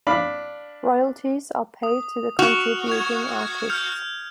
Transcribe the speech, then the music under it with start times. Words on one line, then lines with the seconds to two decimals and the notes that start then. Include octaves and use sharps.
Royalties are paid to the contributing artists.
0.07 D4 F5 B5
1.83 D#6
2.39 F#4 F6 F7
2.89 G#6 F7
3.69 F6 G6 F7